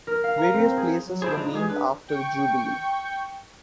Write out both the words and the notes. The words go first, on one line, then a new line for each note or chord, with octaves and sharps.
Various places were named after the Jubilee.
A#4
F5
A#5
C4
C5
G#4
F#3
D4 E4 G#4 C5
F3 D4 D#4
G#3 G4 G#4
D4 B4
G5 C#6